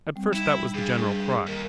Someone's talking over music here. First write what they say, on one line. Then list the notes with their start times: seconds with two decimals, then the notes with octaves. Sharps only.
At first that was the general cry.
0.16 G3 C4
0.33 D#4 E4
0.74 G2 G#4
1.10 G#4
1.47 D#2 A#4